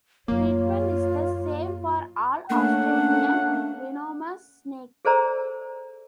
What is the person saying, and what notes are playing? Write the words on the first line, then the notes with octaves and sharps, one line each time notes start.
Treatment is the same for all Australian venomous snakes.
F#2 A2 A#3 F4 C#5
A3 A#3 C#4 D4 F#5
G#4 A4 C5 D5 A#5 E6